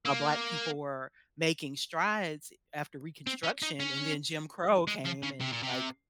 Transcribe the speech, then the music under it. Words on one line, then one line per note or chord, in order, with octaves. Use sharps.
uh, black people were making strides, eh, after Reconstruction, and then Jim Crow came and, like,
A#3
C4
C#4
D#4
C#4
G#3
F3
C#3
C3
A#2
C3